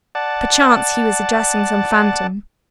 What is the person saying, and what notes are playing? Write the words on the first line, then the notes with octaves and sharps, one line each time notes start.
Perchance he was addressing some phantom.
D5 F#5 A5